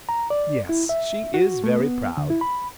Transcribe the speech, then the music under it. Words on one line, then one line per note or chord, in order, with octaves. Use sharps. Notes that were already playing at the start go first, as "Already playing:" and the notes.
"Yes, she is very proud."
A#5
D5
E4
E5
F#4
A3
B3
D3
E4
B5